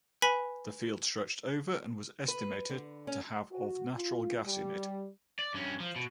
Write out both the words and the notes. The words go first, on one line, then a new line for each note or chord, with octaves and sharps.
The field stretched over and was estimated to have of natural gas in it.
B4 G#5 B5 B6
B4
D3
C#4
F#4
F4
G3
D5
G2 C#4
F3
B2